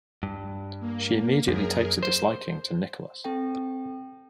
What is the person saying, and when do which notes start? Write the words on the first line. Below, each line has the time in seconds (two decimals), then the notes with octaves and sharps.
She immediately takes a disliking to Nicholas.
0.23 G2
0.80 A#3
1.48 F#2 G#4 A#4
2.03 C5
3.25 C4 A4 G5